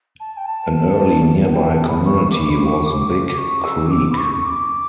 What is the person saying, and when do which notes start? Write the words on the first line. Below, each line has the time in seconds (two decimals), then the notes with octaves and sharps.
An early nearby community was Big Creek.
0.20 A5
0.37 G5
0.46 A5
1.46 F#5
1.52 G5
1.70 A5
1.88 B5
2.06 C#6
2.24 C#6
2.31 D6
2.50 B5
2.59 C#6
2.86 D6
3.11 D6
3.38 C#6
3.65 E6
3.91 D6
4.13 B5
4.17 C#6
4.33 C#6
4.45 D6